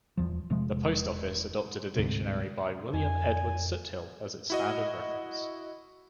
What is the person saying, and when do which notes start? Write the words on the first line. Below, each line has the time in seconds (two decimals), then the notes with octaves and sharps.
The post office adopted a dictionary by William Edward Soothill as its standard reference.
0.17 D#1 E2 F3
0.50 E1 C3 F3 G#3
1.96 D2 G#2 C3
2.93 F2 G#5
4.50 E4 F#4 D#5